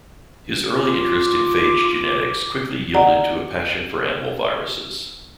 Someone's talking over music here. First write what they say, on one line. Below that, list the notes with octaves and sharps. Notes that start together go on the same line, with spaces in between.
His early interest in phage genetics quickly yielded to a passion for animal viruses.
F4 D6
D5 D#5 F#5 A#5